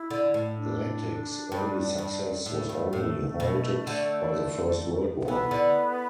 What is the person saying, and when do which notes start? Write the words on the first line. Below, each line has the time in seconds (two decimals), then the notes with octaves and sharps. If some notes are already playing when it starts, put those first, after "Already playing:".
Latics early success was only halted by the First World War.
Already playing: E4
0.10 D3
0.34 A2
0.57 D4
1.52 G2
1.98 G2
2.45 A2 A3
2.69 G2
2.93 A2
3.40 B2
3.87 D3
5.28 E3 B3
5.51 D3